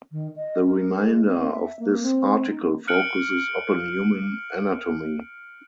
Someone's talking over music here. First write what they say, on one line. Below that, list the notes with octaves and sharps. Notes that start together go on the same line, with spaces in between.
The remainder of this article focuses upon human anatomy.
D#3
D#5
A#4
G#3
C4
E5
A#3
C4
D#4
F6 F#6 C#7 D7 F#7